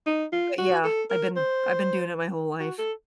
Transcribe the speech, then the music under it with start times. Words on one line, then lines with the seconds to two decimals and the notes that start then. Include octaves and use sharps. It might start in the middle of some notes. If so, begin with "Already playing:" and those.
but, yeah, I've been I've been doing it my whole life.
0.06 D#4
0.33 F4
0.59 F#4
0.85 A4
1.10 A#4
1.37 C5
2.60 F#4
2.79 A4